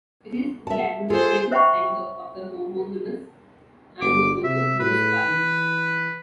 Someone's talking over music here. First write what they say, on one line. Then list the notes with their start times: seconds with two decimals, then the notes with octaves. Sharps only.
It is the administrative center of the homonymous Antonovo Municipality.
0.67 E5 A5
1.10 F4 G#4 A4 C5
1.51 C5 E5 F#5 G5 B5 C#6
4.01 G1 D6
4.44 C3 E5
4.80 A2 B4
5.30 E3